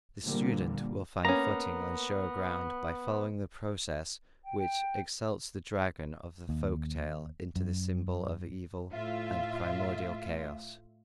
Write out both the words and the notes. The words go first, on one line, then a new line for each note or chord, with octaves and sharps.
The student will find footing on surer ground by following the process which exalts the dragon of the folk tale into the symbol of evil and primordial chaos.
A#2 D3 F3 G3 A#3
A#3 B3 C#4 A#5
G5
G5
D#2
F#2
A2 F4 E5